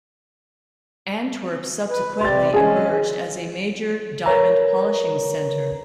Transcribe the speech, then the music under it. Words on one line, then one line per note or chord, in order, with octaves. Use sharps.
Antwerp subsequently emerged as a major diamond polishing center.
B4
C3 G3 G4 C6 A6
G#3 C#4 G#4 G#5
A#4 B4 C#5 A#5